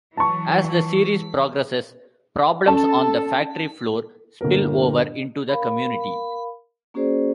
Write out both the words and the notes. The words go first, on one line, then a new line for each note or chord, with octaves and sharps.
As the series progresses, problems on the factory floor spill over into the community.
E3 F#3 A5 C#6
C#4 A4 A5
G1 A#2 A#4
A#4 F5 B5
A#3 C#4 F#4 G#4 C5 D5